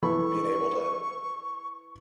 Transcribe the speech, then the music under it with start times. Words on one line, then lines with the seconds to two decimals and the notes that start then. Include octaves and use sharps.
being able to
0.03 E3 A4 B5 C#6